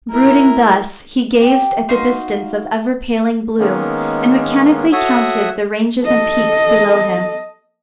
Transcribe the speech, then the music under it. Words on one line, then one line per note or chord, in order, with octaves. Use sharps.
Brooding thus, he gazed at the distance of ever paling blue, and mechanically counted the ranges and peaks below him.
E4 A#4
G4
D#4 F#4 F5 C6
D#3 G#3 A#3 B3 C#4
F#4 A4 C#5 E5 F#5 D#6
A4 D#5